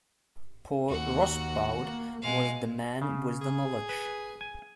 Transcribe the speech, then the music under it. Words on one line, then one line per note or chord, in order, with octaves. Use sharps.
Paul Rosbaud was the man with the knowledge.
D#2 F#4 F#5
A#3
B2 G#3 F5
C#3
G#4
B4
G#5